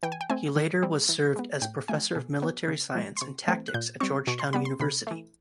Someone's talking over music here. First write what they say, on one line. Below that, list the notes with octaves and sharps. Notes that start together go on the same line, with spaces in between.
He later was served as professor of military science and tactics at Georgetown University.
E3 G5
G#5
G5
A3 C4 G#5
D#3
G3 C4
E3
G#3 B3
A2 G5
F3 A3 G#5
B2 G#5
F#3 B3
C#3
F3 G#3
C6
C3 C#6
E3 A3 C4
F#6
A#2 G6
G3 C4 C#6
B2 C#6
C6
G3 B3 B5
C6
C3 B5
E3 A3